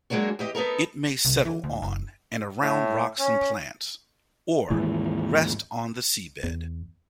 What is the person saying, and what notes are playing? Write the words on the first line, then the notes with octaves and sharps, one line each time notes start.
It may settle on and around rocks and plants, or rest on the seabed.
F#3 G#3 A#3 D4 F#4
E2 G4 D#5
B3 D#4 A4 A#4
C2
E3
D2
F#1
A2
C#4
D#2 G#2 E3
E2